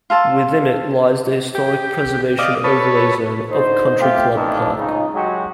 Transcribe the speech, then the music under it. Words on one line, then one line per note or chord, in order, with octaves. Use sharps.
Within it lies the Historic Preservation Overlay Zone of Country Club Park.
F4 A4 A5
G4
D5 D#5 F5
A4 B4 C#5
D3 D#4 C5
A3 F4 G4
A1 F2 D4 D#4
C#2 C#3 D#4
F#3 G#3 F#4 G4